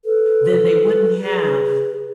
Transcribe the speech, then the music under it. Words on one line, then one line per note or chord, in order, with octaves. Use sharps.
then they wouldn't have
A4 B4
G#4